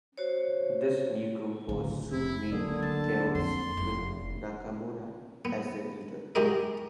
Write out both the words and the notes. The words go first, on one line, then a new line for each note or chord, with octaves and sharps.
This new group was soon named Chaos with Nakamura as their leader.
F#4 C5 C#5
D1 C#3 F4
F1 E4
C#2 D3 F#3 A#3 D4 G#4
D2 A5
F2 D#4 C6
F1
B3
G#3 D#4 F#4 G4 A#4 D#5